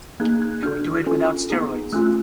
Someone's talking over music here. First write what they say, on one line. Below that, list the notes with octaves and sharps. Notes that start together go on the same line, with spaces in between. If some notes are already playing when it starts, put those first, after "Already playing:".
And we do it without steroids!
A#3 D#4 G#4 F#6 G#6
F#6 G#6
D4 F#4 A4 F6 G6
C#4 F4 A4
B3 D#4 G#4
A3 C#4 F4 E6 F#6